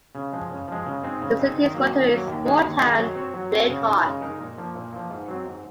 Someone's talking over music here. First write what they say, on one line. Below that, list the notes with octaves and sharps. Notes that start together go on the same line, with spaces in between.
The city's motto is Small town; Big heart.
C#3
F3 G#3
C#3
F3 G#3
C#3
G#3 C4 D#4
C#3
G#3 C4 D#4
D#3
F#3 A#3
D#3
F#3 A#3
D#2
D#3 G#3 D#4 G#4
D#2
D#3 G#3 D#4 G#4
F#3
C4 F#4 C#5
F#3
C4 F#4 C#5
C#3
G#3 D#4 A#4
C#3
G#3 D#4 A#4
A#2
F3 A#3
A#2
F3 A#3
G#2
F#3 C4
G#2